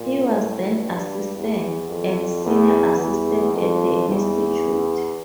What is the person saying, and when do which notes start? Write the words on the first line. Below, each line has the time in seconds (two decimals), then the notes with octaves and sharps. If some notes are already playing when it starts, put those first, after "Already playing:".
He was then assistant and senior assistant at the institute.
Already playing: A#2
0.25 A2
0.79 G2
1.34 E2
1.89 F2
2.45 E2
2.99 E2
3.53 F2
4.08 E2